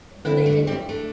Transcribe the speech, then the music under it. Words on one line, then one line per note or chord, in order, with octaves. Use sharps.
But they didn't?
D3 C4 E4
A3 D4
G3 C4
A3 D4